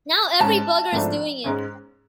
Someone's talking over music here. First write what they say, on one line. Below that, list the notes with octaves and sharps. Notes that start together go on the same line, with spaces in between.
Now every bugger's doing it.
G#2 G#3 C#4 A5
G#1 G#2 F3 A3 D4
G#2 G#3 C#4